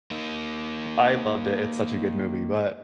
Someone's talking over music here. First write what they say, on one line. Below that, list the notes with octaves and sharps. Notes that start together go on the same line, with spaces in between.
I loved it, it's such a good movie, but
A#3 D#4